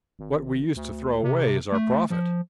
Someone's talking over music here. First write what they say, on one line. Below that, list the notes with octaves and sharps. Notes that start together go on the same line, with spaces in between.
What we used to throw away is our profit.
G#1
D2
C3
A3
F3